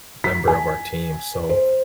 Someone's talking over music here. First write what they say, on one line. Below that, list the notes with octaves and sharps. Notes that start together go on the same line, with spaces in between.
member of our team, so,
B6
G#5
C5